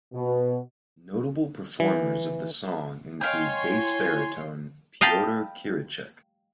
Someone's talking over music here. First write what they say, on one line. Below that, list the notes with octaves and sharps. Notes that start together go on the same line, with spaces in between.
Notable performers of the song include bass-baritone Pyotr Kirichek.
B2
E3
C#5 D#5 F5 G5 G#5 C6
E4
D#5 F5 G5 A5 B5